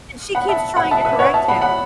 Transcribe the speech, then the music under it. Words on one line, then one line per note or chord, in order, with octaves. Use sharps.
And she keeps trying to correct him,
F#5 B5
E5 A5
F#5 B5
E5 A5
B4 E5
C#5 F#5
E5 A5
F#5 B5
F#5 B5